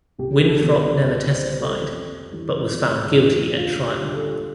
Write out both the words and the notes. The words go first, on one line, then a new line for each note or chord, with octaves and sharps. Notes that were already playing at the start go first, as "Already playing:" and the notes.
Winthrop never testified, but was found guilty at trial.
C2 G4
A4
B2 G3
B4
C2 D5
C5
B2 G3
A4
F2
E3 G3
F2
E3 G3
D2 F4
G4
D3 G3
A4